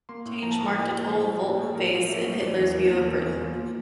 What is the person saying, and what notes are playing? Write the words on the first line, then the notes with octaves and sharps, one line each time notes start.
This change marked a total volte-face in Hitler's view of Britain.
A#3 C6
A2
F3 A#5
A5
A2 A#5
A#3 G5
A2
F3 C5
A2
A#3
A2
A4
F3 A#4
A2
A#3 E5
A2
C5
E3 D5
E2
A#3 A#4
E2
A#4
E3 A4
E2
A#3 F4